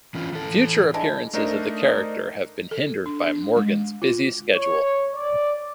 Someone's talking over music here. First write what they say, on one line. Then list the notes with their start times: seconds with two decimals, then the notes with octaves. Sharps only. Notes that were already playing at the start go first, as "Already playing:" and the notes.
Future appearances of the character have been hindered by Morgan's busy schedule.
0.15 E3 C#4 F4
0.33 E3 A4
0.94 G#3 D4 E4
1.33 A3 D4 D#4 A#4 C5 D#5
2.71 A4
3.06 D4
3.26 D4
3.56 G#3
4.02 F4
4.55 C#5
5.15 D5